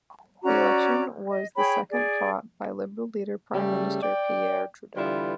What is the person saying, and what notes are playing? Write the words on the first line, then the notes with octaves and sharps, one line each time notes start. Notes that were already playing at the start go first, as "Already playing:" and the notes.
The election was the second fought by Liberal leader, Prime Minister Pierre Trudeau.
C#4 F#4 D5 A#5
D#5
G#4 C#5 G5 B5
G#4 D5
C#3 G3 A3
D5 G5
D3 E3 G3 E4 F4 B4